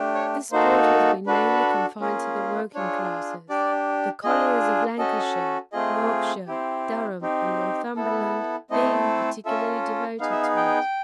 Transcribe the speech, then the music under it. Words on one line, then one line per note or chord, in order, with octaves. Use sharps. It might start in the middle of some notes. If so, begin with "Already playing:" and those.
This sport has been mainly confined to the working classes, the colliers of Lancashire, Yorkshire, Durham, and Northumberland being particularly devoted to it.
Already playing: A3 D4 G4
C#5
A#3 D#4 F#4 A4 C5
D4 F#4 A4 B4
A#3 C#4 F4 G#4
D4 F4 G#4 C#5
D4 G4 D5
D4 F4 G#4 D#5
C#4 F#4 A4 D#5
A3 C4 F4 G#4 D#5
C4 E4 G4
C4 D#4 G4
B3 E4 A4
A3 C4 E4 A4 D#5
C#4 F4 A4 E5
B3 D#4 G#4 F5
E5
F5
G5